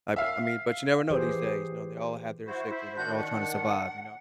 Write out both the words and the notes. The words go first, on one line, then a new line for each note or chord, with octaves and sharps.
I I mean, but, you never know these days, you know? They all have their restriction, and they're all trying to survive, you know?
E5 F5
E3 G4 G#4 C5
E4 F#4 C5
E4 C5
D#3 D4 F#4 G6
F#5